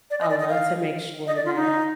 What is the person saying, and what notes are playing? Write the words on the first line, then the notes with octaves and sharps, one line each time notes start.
I love to make sure that
D5
D#5
D5
D#5
F5
D#5
D5
F4
D#4